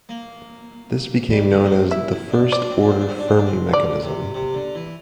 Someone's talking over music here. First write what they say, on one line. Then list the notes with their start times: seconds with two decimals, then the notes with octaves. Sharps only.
This became known as the "First Order Fermi Mechanism".
0.09 A#3
1.31 G3
1.51 D3
1.64 A#3
1.70 C4
1.91 E4 E5
2.11 E4
2.31 D4
2.52 C4 D5
2.61 D4
2.70 C4
2.81 D4
2.90 C4
2.99 D4
3.09 C4
3.18 D4
3.28 C4
3.37 D4
3.47 C4
3.73 D3 D5
4.03 C3
4.34 C3
4.54 D3
4.75 E3